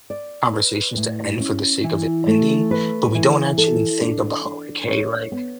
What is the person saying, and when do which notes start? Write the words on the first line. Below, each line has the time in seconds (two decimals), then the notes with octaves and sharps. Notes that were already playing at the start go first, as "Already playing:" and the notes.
conversations to end for the sake of it ending, but we don't actually think about, like hey, like,
0.10 D5
0.53 B4
0.97 A2
1.40 C#4
1.84 E3
2.27 A3
2.71 B4
3.15 E3
3.58 A4
4.01 D4
4.45 D4
4.88 C#5
5.32 B3